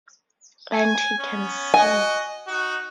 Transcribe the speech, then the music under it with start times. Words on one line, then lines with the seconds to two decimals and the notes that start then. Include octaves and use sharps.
And he can sing.
0.71 G#5
1.18 B3 C#4
1.74 F#4 D#5 G#5
2.47 D#4 F#4